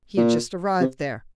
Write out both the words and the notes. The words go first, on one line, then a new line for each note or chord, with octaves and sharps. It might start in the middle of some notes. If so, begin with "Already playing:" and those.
He had just arrived there.
A#2
C3